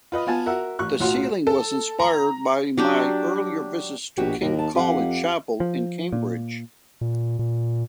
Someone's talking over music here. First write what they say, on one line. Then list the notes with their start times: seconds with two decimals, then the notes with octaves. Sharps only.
The ceiling was inspired by my earlier visits to kings College Chapel in Cambridge.
0.12 F4 B4 D#5
0.27 B3 F4 G#5 A5
0.46 F#4 A#4 E5 F#5
0.79 A1 C#6 F#6
1.00 B1 A2 F#3 F4 F#5 C6
1.47 A4
2.00 A#5
2.77 F#3 D4 G4
4.18 A#1 B2 F#4 G4
4.42 D#2 C3 A#4
4.59 A5
4.75 F2 G4 F5 F#5
5.60 F3
6.13 A#2
7.01 A#2
7.39 A#2